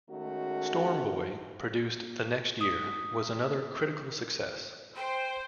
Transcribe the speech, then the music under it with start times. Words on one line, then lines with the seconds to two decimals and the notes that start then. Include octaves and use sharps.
"Storm Boy", produced the next year, was another critical success.
0.10 D#3 G#3 A3 C#4 F#4
2.61 D#6 B6
4.97 C5 G5